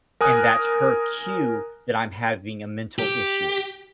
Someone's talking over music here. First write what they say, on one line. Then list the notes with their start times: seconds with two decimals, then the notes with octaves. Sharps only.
And that's her cue that I'm having a mental issue,
0.21 A#4 G#5 D#6 F#6
2.99 G4